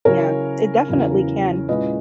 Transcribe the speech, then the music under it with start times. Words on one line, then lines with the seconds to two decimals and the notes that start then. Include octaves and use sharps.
Yeah, it definitely can.
0.05 C#3 F#3 C#4 E4 A#4 C#5
0.87 E2 C#3 F#3 C#4 E4
1.68 A#2 G#3 C#4 E4 B4 D#5